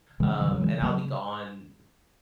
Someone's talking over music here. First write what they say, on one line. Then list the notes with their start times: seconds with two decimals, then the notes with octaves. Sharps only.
Um, and I'll be gone
0.20 C#3 E3 G#3
0.40 D#3 F#3
0.51 C#3 F#3
0.61 E3 G#3
0.82 C#3 F#3 A#3